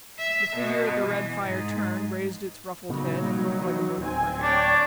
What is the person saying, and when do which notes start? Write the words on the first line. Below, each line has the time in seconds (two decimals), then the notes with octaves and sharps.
The figure at the red fire turned, raised its ruffled head, and looked like a bird of prey.
0.18 E5
0.57 B2
1.02 E3
1.44 G#2
2.89 A#2 C#3 F#3 B3 D#4
3.21 C3 G3 A#3
3.61 E3
3.98 D1 C4 G#5
4.40 D4 C#5 D5 G5